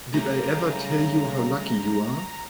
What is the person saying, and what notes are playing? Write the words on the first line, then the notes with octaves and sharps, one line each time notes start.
Did I Ever Tell You How Lucky You Are?
F#2 C#3 G3 A3 A#5